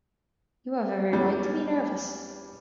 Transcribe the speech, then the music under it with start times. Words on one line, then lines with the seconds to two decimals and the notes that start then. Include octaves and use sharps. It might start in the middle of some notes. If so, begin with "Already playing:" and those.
You have every right to be nervous.
1.12 E2 G3 C#4